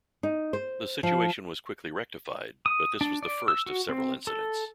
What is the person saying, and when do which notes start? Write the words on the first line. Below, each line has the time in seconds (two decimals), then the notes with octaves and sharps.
The situation was quickly rectified, but this was the first of several incidents.
0.23 D#4
0.53 C5
1.03 F3
2.66 D#6
3.01 D4
3.23 D5
3.48 E6
3.66 F#4
3.89 C4
4.27 A4